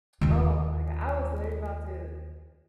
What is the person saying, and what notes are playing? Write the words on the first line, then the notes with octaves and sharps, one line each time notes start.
Oh my god, I was literally about to
D#2 F4